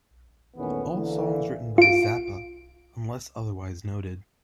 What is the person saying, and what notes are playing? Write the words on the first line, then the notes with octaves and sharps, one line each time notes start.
All songs written by Zappa unless otherwise noted.
E2 A#2 D#3 A3 B3 C#4
D3 E3 A#3
F4 D7